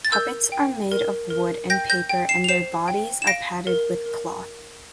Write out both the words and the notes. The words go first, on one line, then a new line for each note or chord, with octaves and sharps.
Puppets are made of wood and paper and their bodies are padded with cloth.
A6
A#4 E6 G6
G5
A#4
A#4
G5 G6 A#6
G6 A#6
G5
C7 E7
F7
C5 C7 E7
G5
E7
F5 A#6 D7
A#4
A#4